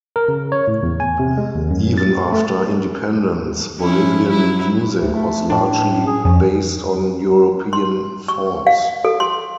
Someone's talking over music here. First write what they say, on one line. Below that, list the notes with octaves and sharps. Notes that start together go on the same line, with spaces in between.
Even after independence, Bolivian music was largely based on European forms.
A#4
C#3
C#5
A2
E2
G#5
C3
G#3
D#2
F#2
A6
A3
F3 C#4 E4
F#3 E4
D2
A3
A2 D4
G#4
F2 C#4
C6
C#6
F5
A4
C6